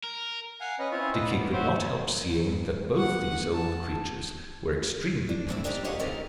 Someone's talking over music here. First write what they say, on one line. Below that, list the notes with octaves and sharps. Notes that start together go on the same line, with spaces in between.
Dickie could not help seeing that both these old creatures were extremely pleased with him.
A#4
F5 F#5 G#5
C#4 B4 D#5
C4 C#4 E4 F4 C#5
A4 B4 D#5
B3 D5
E4 F#4 G4 C5 C#5
F#5
A5
D4
A3 C4 E4
A#3 D4 D#4 G4 A4 A#4
G4 C5 C#5 D#5 F5 F#5
D#3 C4 D#4 G4 A#4